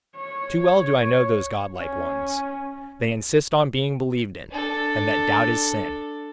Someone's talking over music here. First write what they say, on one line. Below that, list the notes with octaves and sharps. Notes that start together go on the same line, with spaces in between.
Too well do I know those godlike ones: they insist on being believed in, and that doubt is sin.
C#5
C#4
D4 A4